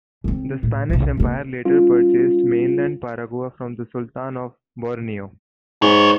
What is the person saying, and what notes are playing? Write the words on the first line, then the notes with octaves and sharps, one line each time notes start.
The Spanish Empire later purchased mainland Paragua from the Sultan of Borneo.
C#3 C4
A2
B1 C3
C3 A#3
G3 C#4 F4
G#2 B4 C#5